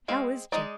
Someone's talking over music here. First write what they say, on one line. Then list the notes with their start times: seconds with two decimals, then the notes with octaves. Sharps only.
How is Jim?
0.08 G#3 C4 F5
0.52 G#3 C4 D#4 D5